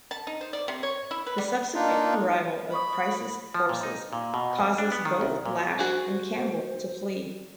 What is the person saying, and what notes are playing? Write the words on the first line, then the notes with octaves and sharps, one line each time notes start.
The subsequent arrival of Price's forces causes both Lash and Campbell to flee.
A5
D#4
C5
D5
C3
C#5
E4
B4
G3
A#3 D4 D#4 F4
C5 B5 C#6 D#6
F3
A#2
D#4
A#2
B2
F2
D4
B3
D#3
C2
A#2
F#4 G#4 C5